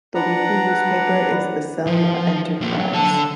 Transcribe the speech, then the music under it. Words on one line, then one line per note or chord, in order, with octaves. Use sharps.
The weekly newspaper is "The Selma Enterprise".
D4 B4 D5 F#5 A#5
F3
F3 A#3
F#3
D3 A5